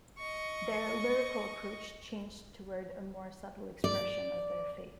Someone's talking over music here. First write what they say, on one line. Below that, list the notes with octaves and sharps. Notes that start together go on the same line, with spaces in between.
Their lyrical approach changed toward a more subtle expression of their faith.
D#5 C#6
D5